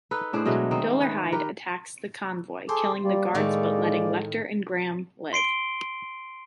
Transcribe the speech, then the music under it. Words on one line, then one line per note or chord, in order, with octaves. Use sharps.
Dolarhyde attacks the convoy, killing the guards but letting Lecter and Graham live.
D#4 A4 B4
A2 D4 G#4 C5
B2 F#3 G#3 A3
D#3 C4 D#4
B4
G4 A#4 B4
G#4 A4 C5 D6
G3 A#3 D5
A2 D#3 G#3
C6 C7 D7 G7